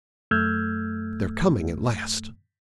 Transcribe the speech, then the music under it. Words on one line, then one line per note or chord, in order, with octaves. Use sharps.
'They're coming at last.'
F#2 A3 E6 F6 G6 G#6